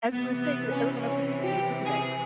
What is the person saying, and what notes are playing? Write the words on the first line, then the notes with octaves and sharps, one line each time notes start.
I was gonna say 'cause everyone else could see you, couldn't they?
C3 E3 B3
B3
C#4
C#4
G4
G#4